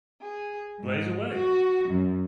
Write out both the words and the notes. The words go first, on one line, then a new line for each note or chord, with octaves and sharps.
Blaze Away!
G#4
G#2
F#4
F#2